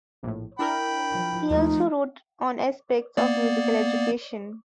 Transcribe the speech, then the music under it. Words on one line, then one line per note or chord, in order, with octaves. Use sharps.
He also wrote on aspects of musical education.
A#1 A2
D4 E4 A#4 G5 B5
F3
D#2 F3 A3 D#4
A#3 B3 D5